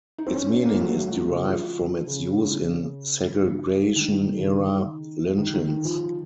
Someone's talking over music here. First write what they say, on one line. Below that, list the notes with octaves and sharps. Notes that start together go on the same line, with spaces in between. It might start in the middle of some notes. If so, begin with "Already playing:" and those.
Its meaning is derived from its use in segregation era lynchings.
D#4
C4
C#4
C#4
A#3
F3
F#3
A3
F#3
F3
C#3
F3
C#3
D#3
D#3
D#3
C#3
D#3
D#3
D#3
D#3
F3